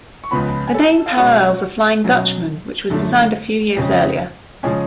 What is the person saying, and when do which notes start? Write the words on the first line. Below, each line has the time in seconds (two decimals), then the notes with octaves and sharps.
The name parallels the Flying Dutchman which was designed a few years earlier.
0.24 C#6
0.31 C#2 C#3 F3 B3 B4 B5
0.68 G#5
0.74 A4 A5
1.06 F5
1.17 B2 G#3 C#4 F#4 F#5
2.04 B2 F#3 C#4
2.90 F#2 D3 F3 A3
3.76 F2 C#3 G#3 C#4
4.63 C#3 F3 G#3 C#4 G#4 G#5